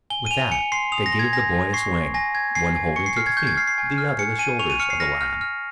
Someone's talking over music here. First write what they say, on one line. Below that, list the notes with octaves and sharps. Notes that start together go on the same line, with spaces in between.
With that they gave the boy a swing, one holding to the feet the other the shoulders of the lad.
G#5 G7
D#7
G#5 F7
G#5 C#7
C6 C7
D#6 F7
A#6
C6
G#6
G#5 A#6
G#5
C#6 C7
C#6
G#5 A#6
G#5 G#6
G#5 C7
G#5
C#6 C#7
C7
F6 C7
G#6
C#6 G6
G#6
F6 C7
C7
G#5
F6
G#5 C#7
G#5 D#7
C#6 F7
D#7
F6 C#7
C7
F6 A#6
F6
F6